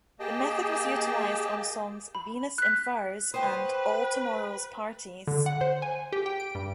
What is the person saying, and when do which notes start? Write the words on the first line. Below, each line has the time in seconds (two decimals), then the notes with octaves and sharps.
The method was utilized on songs "Venus in Furs" and "All Tomorrow's Parties".
0.20 A#3 G4 G#4 D#5 G5 A5
2.15 B5
2.58 F#6 B6
3.34 F#4 G4 B4 C5 D#6
5.27 D3
5.46 F#5
5.61 C5
5.82 G#5
6.13 G4
6.26 G5
6.40 D7
6.55 G2